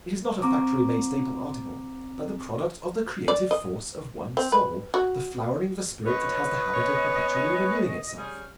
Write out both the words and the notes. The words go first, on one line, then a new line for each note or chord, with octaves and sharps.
It is not a factory-made staple article, but the product of the creative force of one soul, the flowering of a spirit that has the habit of perpetually renewing itself.
C4 A#5 D6
D5
D#5
C4
B4
F#4
D3 F3 B4 C#5 D#5
B3 C#4 C#5
G3 C#4 G#4 F6